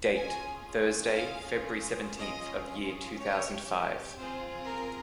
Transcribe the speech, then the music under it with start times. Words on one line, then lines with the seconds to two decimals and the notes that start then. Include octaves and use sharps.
Date: Thursday, February seventeenth of year two thousand five.
0.15 C#4 F4 G#4 G#5
1.15 C#4 F4 G#4 F5
2.16 C#4 F4 G#4 D#5
3.17 C#4 G4 C#5
4.17 C4 F4 G#4 C5
4.67 A#4